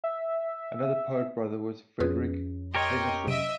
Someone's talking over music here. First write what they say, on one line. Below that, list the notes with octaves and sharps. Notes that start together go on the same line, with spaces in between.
Another poet brother was Frederick Tennyson.
E5
F2 C#4 F4 G#4 B4
G4 A#4 C#5 D#5 G5 C6
C3 F#3 D#5 E5 D7